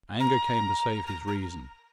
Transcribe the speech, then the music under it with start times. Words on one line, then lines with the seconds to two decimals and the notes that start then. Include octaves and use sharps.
Anger came to save his reason.
0.20 A#5
1.06 A#5
1.27 A#5